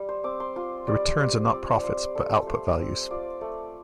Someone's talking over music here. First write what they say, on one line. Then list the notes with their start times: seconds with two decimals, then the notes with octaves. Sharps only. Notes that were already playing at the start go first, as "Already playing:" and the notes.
The "returns" are not profits, but output values.
Already playing: G3
0.09 C5
0.24 C4 D6
0.40 C6
0.56 F4 C6
0.88 G3 D5
1.19 G3 C5
1.51 C4 D5
1.82 F4 C5
2.15 G3 A4
2.46 A3 C5
2.79 C4
3.10 F4 D5
3.41 A3